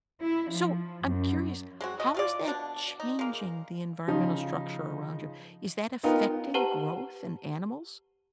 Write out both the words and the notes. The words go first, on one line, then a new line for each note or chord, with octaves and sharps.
So, I'm curious, how is that changing the environmental structure around you? Is that affecting growth in animals?
E4
F3
F#2
G#3 C4 F#4
D#5
A3 F4 D5
B2 D4
D#4
G#3 A#3
C#3 F3 D#4
B3 D#4 F4 A#4 G5
G4 B4 C5 F#5 A5 A#5